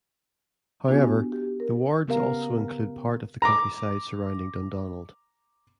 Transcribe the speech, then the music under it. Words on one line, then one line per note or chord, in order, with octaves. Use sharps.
However, the wards also include part of the countryside surrounding Dundonald.
B3 D4 E4 F#4 G4 G#5
G4
A#4
C#3 B3 G4 A#4 F5
A#5 D6